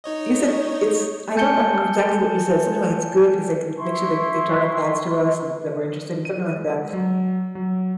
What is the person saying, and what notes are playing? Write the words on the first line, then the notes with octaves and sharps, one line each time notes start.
you said it's I don't remember exactly what you said, something like it's good because they can make sure, like, they target ads to us and that we're interested in something like that.
D#4 C#5 D#5
G#5 A5 G6 A6 C#7 G7
E4 C6 C#6
D#7
G#3
F#3
F#3